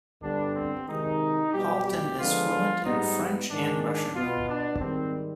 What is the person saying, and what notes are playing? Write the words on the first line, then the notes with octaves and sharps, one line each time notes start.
Halton is fluent in French and Russian.
G2 D3 G3 B3 D4
C4
C3 D#3 G#3 D#4
B2 G3 B3 G4
G4
D3 F3 G#3 B3 F4
G#2 G3 B3 D#4
G#2 D#3 G#3 D4
D4
B2 B3 F4
D4
G#2 D#3 G3 C4